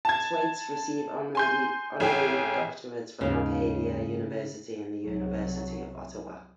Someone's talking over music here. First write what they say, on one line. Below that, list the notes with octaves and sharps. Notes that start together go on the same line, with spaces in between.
Twaits received honorary doctorates from Acadia University and the University of Ottawa.
A5 G#6
G#5 C6 G6
A1 G#4 G5
D#2 G#2 C#3
C2 F#3